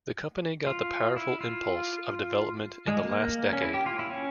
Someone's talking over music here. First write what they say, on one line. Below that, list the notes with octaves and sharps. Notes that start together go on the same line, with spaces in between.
The company got the powerful impulse of development in the last decade.
F4
E4
F4
G#3
A#3
C#4
E4
G4
F4
E4
C#4